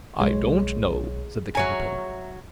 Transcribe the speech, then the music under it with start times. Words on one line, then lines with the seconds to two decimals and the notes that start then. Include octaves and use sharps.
'I DON'T know,' said the Caterpillar.
0.20 B1 G#3 C#5
1.55 F#3 C#5 E5 G#5 A#5